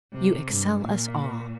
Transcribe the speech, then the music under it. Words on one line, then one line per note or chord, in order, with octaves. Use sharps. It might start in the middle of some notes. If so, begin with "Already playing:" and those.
"You excel us all."
C3
G2
A#2